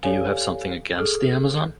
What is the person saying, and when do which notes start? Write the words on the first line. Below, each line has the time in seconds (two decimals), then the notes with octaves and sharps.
Do you have something against the Amazon?
0.03 G4 A4 C#5 D5 F5 G#5
0.98 G#4 A4 D#6 F6